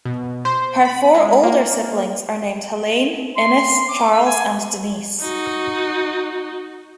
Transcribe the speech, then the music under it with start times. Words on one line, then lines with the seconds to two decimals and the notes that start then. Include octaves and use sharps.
Her four older siblings are named Helene, Ines, Charles and Denise.
0.05 B2
0.45 C5 C6
0.85 B5
1.14 G#3
1.43 A#3
3.36 C6
3.88 D6
4.12 E6
4.25 G#5
5.21 D#4 F#4